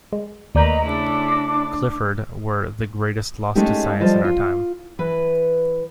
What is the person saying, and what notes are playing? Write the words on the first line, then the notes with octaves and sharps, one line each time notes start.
Clifford were "the greatest loss to science in our time".
G#3
D#2 A3 A#3 B4 D5 D#5 A#5 G6
C#3 A3 D4 E4 D6
A#6 C7
G#3 A3 C#4 D#4 G4
F3 G3 F4 A4 D#5
F4
E3 B4